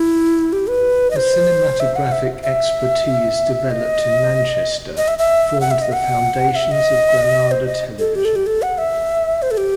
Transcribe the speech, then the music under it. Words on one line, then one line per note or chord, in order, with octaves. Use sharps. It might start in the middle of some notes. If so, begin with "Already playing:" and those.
The cinematographic expertise developed in Manchester formed the foundations of Granada Television.
Already playing: E4
G4
B4
D#5
C5
E5
F#5
E5
E5
D#5
D#5
E5
E5
F#5
E5
D#5
F#5
E5
D#5
C5
D#5
A4
G4
A4
G4
A4
F#5
E5
C5
A4
G4